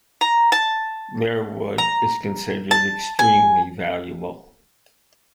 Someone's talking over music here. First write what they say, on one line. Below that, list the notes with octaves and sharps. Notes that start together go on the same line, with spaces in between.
Their wood is considered extremely valuable.
A#5
A5
A#5
A5
G#5